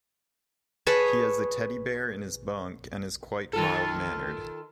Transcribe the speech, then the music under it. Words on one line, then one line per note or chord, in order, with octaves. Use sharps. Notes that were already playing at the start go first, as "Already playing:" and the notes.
He has a teddy bear in his bunk and is quite mild-mannered.
G#4 B4 C#5 A5
D#3 F4 A4